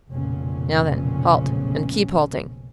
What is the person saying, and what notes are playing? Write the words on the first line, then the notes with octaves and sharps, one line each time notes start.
Now then, halt--and keep halting!
F1 B1 F2 A#2 C#3 C#4